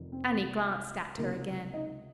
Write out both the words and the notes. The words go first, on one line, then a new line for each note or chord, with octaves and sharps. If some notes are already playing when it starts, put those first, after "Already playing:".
Annie glanced at her again.
Already playing: F1 F2 D#3
C4
C2 C3 F3
C#2 C3 D#3 A#3
D#4